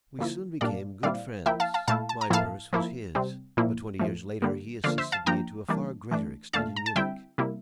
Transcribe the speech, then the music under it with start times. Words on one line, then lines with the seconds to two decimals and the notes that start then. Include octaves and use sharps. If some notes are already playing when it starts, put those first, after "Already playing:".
We soon became good friends, my purse was his, but, twenty years later, he assisted me to a far greater extent in Munich.
0.19 D3 F3 A#3 E4
0.61 A#2 G3 A#3 D4 D5 F5
1.03 A#2 G3 C4 E4 D5 F5
1.46 F3 A#3 E4 E5 G5
1.60 F5 A5
1.74 F5 A5
1.88 A#2 A3 E4 F5 A5
2.09 A5
2.21 A#5
2.30 A2 F3 A#3 E4 F5 A5
2.73 F3 A#3 E4
3.15 C3 G3 C4
3.57 A#2 F3 A#3 E4
3.99 A2 F3 A3
4.42 D3 G3 A#3
4.84 D3 F3 A#3 D5 F5
4.98 C5 E5
5.12 F5 A5
5.26 F3 A#3 D4 G5 A#5
5.68 E3 G3 A#3 D4
6.11 E3 A3 D4
6.53 A#2 A3 D4 F5 A5
6.76 A#5
6.86 A5
6.96 D3 G3 C4 E4 E5 G5
7.38 C3 G3 A#3 E4